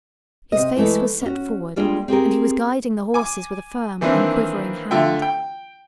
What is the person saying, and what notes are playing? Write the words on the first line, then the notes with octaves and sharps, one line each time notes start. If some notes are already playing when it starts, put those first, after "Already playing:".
His face was set forward and he was guiding the horses with a firm, unquivering hand.
C3 D#5
E3 G#3 A3
C#4 F#4
G3 G#3 A#3 D4 F4 G#4
C4 G4 G#4 A#4
G#5 D6
D#3 E3 A#3 C4 D4 B4
D3 A3 F4 E5 G5
G5